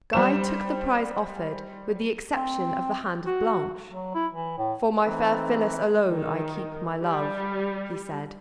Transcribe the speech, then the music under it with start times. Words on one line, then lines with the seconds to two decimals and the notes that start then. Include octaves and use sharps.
Guy took the prize offered with the exception of the hand of Blanche. "For my fair Phyllis alone I keep my love," he said.
0.13 G3 C5 E7
2.34 C4
3.26 F#4
3.90 F#3
4.14 E4
4.33 E3
4.58 A2
5.04 E3 A3 C4 D#4
6.08 D#3
7.02 G3